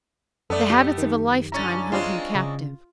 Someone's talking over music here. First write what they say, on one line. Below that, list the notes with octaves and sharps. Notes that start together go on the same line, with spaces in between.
The habits of a lifetime held him captive.
F#2 A3 B3 A4 D5
G4
D#3
D3 C#4 E4 A#5 C#6 A6
G#3 C4 D4 F4
C#3